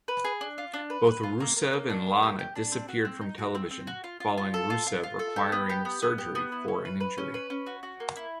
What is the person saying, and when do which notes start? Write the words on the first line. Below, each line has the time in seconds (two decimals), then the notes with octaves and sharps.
Both Rusev and Lana disappeared from television following Rusev requiring surgery for an injury.
0.08 B4
0.24 G#4
0.41 D4
0.58 F4
0.73 D4
0.90 B4
1.07 B4
1.23 F4
1.40 A#3
1.56 A#3
1.73 A#3
1.90 D4
2.06 A#4
2.23 G4
2.39 G4
2.55 D4
2.72 C4
2.88 F#4
3.05 C4
3.21 D#4
3.38 F#4
3.55 C4
3.71 C4
3.87 F#4
4.04 F4
4.20 F4
4.38 F4
4.54 A4
4.70 F4
4.87 F4
5.03 F4
5.19 A4
5.36 G4
5.52 B3
5.70 G4
5.85 B3
6.02 B3
6.18 G4
6.35 B3
6.52 E4
6.68 C#4
6.85 B4
7.00 B4
7.18 C#4
7.34 B4
7.50 C#4
7.66 F#4
7.83 F#4
8.00 A#3
8.16 E4